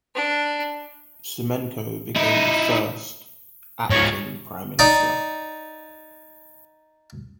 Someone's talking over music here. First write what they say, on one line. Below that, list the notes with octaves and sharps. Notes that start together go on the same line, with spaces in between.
Symonenko became the first "acting Prime Minister".
D4
D#4 E4
G#2 F3 C#5
D#4 D5